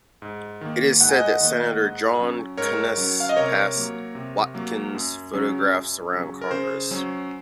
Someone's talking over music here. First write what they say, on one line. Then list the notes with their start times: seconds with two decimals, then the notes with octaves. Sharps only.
It is said that Senator John Conness passed Watkins' photographs around Congress.
0.22 G#2
0.61 D#3 A#3
1.00 G#2 F#5
1.09 G#5
1.16 D#5 F#5
1.40 D#3 A#3
1.79 G#2
2.19 F#3 C#4
2.57 G#2 A#4 C#5
2.98 F#3 C#4
3.20 F5
3.29 D#5
3.36 C3 A#4 C#5
3.76 F#3 A#3
4.15 C3
4.54 F#3 A#3
4.95 F#2
5.34 C#3 F#3 C#4
5.73 F#2
6.13 C#3 F#3 C#4
6.41 A#4
6.51 C#3 C5
6.91 F#3 C#4